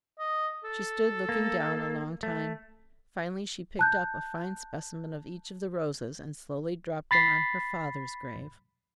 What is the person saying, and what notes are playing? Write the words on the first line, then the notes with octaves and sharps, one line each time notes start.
She stood looking down a long time; finally she picked up a fine specimen of each of the roses and slowly dropped them on her father's grave.
D#5
A4
A#3
A3
A5 F#6 G6
B5 A6 B6 C7